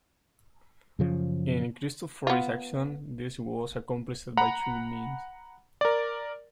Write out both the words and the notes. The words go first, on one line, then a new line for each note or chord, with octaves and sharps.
In Cristofori's action, this was accomplished by two means.
F#2 C#3 F3
B3 F4
F#5 A#5 B5
A#4 D5